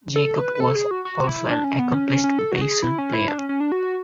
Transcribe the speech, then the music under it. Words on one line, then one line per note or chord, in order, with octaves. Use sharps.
Jacob was also an accomplished bassoon player.
A4
B4
B4
A4
G#4
F#4
F#4
F#4
E4
D4
C#4
B3
C#4
C#4
C#4
A4
F#4
G#4
E4
C#4
E4
D4
C#4
C#4
D4
F#4